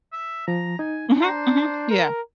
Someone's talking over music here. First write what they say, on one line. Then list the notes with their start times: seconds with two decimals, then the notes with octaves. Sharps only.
Mhm, mhm, yeah.
0.13 E5
0.48 F3 A#5
0.79 D#4 G#5
1.21 D4 C5 A#5
1.90 A#4